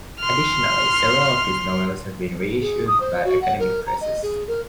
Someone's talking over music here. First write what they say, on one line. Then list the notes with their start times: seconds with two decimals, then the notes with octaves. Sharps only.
Additionally, several of his novels have been reissued by academic presses.
0.19 C6 F6
2.62 G#4
2.87 D#6
3.00 C5
3.25 F#4
3.41 F#5
3.59 A#4
3.87 A#5
4.01 D#5
4.22 G#4
4.48 A#4